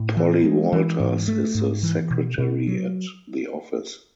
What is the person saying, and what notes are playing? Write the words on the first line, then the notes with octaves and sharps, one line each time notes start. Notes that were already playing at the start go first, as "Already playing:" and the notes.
Polly Walters is the secretary at the office.
Already playing: A2
E3
G#3
E3
G#2
A3
G#2
E3
B2
B2
F#3